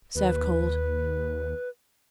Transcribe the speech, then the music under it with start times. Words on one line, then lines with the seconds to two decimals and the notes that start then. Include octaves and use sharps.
Serve cold.
0.15 D#2 B4